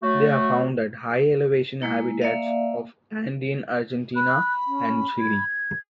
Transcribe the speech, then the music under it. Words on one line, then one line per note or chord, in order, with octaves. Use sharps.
They are found at high elevation habitats of Andean Argentina and Chile.
F#3 A3 F#4
G#3 A#3 E4
A#3 D5 E5 F5
B5 F#6
C#4
G#6